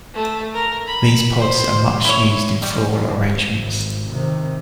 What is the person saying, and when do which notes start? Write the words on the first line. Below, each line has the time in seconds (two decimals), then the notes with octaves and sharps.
These pods are much used in floral arrangements.
0.14 A3
0.54 A#4
0.87 B5
1.38 C5
2.05 E4 C#5
2.62 G3
3.51 G#1 G#2
4.08 C3 D#3